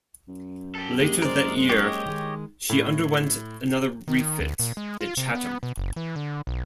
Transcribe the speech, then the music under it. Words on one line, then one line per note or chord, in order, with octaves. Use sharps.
Later that year, she underwent another refit at Chatham.
F#2
G4 A4
G#3 A#3 G4
A#3 A#4 C5 D5
G4 C#5 D#5
D#3 G#3
A2
D#3
D2
A#2
G#3
F4
C3
B3
B2
F#1
E3
D3
B1